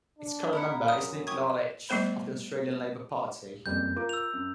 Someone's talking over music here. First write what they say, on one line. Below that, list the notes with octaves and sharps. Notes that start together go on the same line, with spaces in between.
Its current member is Nick Lalich of the Australian Labor Party.
D4
E4 A#4 F#5
F#2 D#6
G4 C#6 D#6 G#6
G3 A3 B3 C5 B5
F#1 F2 G3 G6
F4 A#4 D6
E6 F7
F#2